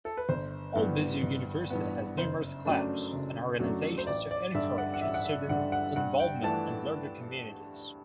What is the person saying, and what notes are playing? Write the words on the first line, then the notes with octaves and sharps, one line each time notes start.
Albizu University has numerous clubs and organizations to encourage student involvement in larger communities.
A4
B4
G1 C5
G2 E3 B3
G1
G2 E3 B3
F#1 C5
F#2 F#3 A3 D4
F#1
F#2 F#3 A3 D4
C5
A1 D5
D5
G2 D3 E5
F#5
F#5
A1 E5
F#5
E5
G2 D3 F#5
F#5
G2 F#5
G5
E3 A3 D4 A5